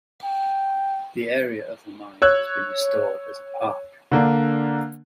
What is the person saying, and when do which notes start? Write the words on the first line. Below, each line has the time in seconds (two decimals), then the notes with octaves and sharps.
The area of the mine has been restored as a park.
0.24 G5
2.22 C#5 E6 F#6 G#6
4.12 D3 A#3 D4